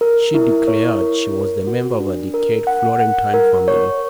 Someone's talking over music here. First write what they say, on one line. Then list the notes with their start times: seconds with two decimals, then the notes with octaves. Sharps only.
She declared she was the member of a decayed Florentine family.
0.01 A#4
0.34 E4
0.68 C#5
1.01 A#4
1.34 A#4
1.67 F#4
2.00 D4
2.34 A#4
2.67 F#5
3.00 F#5
3.34 A#4
3.68 C#5